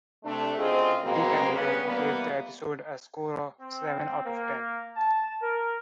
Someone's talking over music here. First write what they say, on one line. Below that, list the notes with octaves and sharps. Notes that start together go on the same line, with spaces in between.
DeCandido gave the episode a score of seven out of ten.
C3 A3 D4
D2 C#3 C4 F4 G#4 D#5
G#2 B2 F#3 G#3 A#3 C4
G2 C#3 B3 C#4 B4
E3 G3 A#3 B3
C4
A#3
A5
A#4